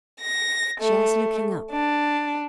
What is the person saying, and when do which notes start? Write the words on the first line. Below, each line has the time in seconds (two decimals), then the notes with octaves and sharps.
Shares looking up.
0.20 A#6
0.80 A3
1.72 D4